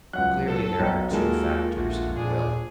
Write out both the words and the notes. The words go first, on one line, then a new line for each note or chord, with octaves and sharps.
Clearly there are two factors in will.
C#2 F#3 F#5 F#6
A4
B1 F#3 G5
D#2 G#3 F4 A4 A#4
A#1 A3 F#4
A#2 D4 G#4